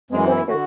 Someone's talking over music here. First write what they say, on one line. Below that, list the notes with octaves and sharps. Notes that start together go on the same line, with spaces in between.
you gonna go"
F#2 E3 G#3
E4
D3 F#4